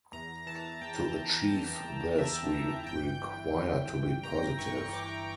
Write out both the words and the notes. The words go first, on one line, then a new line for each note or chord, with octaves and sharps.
To achieve this, we require to be positive.
E2 A#5
E3 A5
E2 G5
E2
E2
E2
E2 E5
E3
G1 G5
E3
E3
G1
G1 A#5
E3 C#6
E3 D6